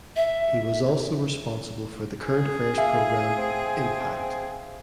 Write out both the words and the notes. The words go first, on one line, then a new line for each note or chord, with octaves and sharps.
He was also responsible for the current affairs program "Impact".
E5
G#4
E5 F5 G#5
C4